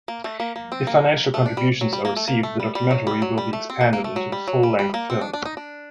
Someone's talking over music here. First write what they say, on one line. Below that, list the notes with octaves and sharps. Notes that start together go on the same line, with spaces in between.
If financial contributions are received, the documentary will be expanded into a full-length film.
A#3
A3
A#3
A#3
C4
A#3
A3
D4
G3
F#3
G3
A#3
A3
A#3
A3
G3
G3
F#3
G3
F#3
G3
A3
C4
A#3
A#3
A3
F#3
G3
F#3
G3
G3
A#3
C4
D4
D4
D#4
D4